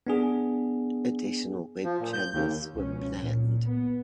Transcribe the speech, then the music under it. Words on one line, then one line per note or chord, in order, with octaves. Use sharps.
Additional web channels were planned.
B3 D4 G#4
F3
A#2
G6
D#2
C#2 B2 F3 C#4
A#2
B3